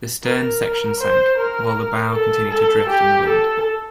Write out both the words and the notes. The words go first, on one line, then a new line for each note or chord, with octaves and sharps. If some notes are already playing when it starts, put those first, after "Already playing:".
The stern section sank, while the bow continued to drift in the wind.
A#4
C5
A#4
A4
A4
G4
A4